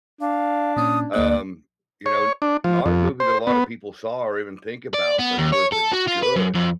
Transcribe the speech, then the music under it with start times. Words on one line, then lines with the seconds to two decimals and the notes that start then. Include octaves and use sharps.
Um, you know, not a movie that a lotta people saw or even think about, but it was a good,
0.21 D4 F5
0.77 A#2 C#4 D#6
1.14 D2 A#3 D5 F#6
2.06 C#5
2.42 D4
2.64 F3
2.86 F2
3.20 C5
3.47 B3
4.94 D5
5.19 B3
5.39 D#2
5.53 C#5
5.73 A4
5.93 F#4
6.08 F4
6.23 B4
6.36 F#2
6.55 F2